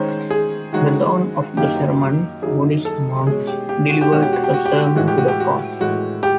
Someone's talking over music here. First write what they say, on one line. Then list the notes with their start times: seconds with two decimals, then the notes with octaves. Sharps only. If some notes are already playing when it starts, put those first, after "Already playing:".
The dawn of the ceremony, Buddhist monks delivered a sermon to the court.
Already playing: D#3 G#3 C#4 C5
0.30 G#4
0.73 D#3 G#3 C#4 F#4
1.57 F#2 D#3 F#3 A#3 D#4 G4
2.42 F#2 D#3 F#3 A#3 D#4 G#4
2.85 A4
3.27 B2 G#3 C#4 G#4
3.47 G4
3.69 G4
3.90 F#4
4.01 G4
4.12 B2 G#3 C#4 F#4
4.23 G4
4.33 F#4
4.44 G4
4.54 F#4
4.65 G4
4.76 F#4
4.86 G4
4.96 A2 E3 G#3 F#4
5.08 G4
5.18 F#4
5.28 G4
5.40 F#4
5.80 A2 E3 G#3 F#4
6.23 G4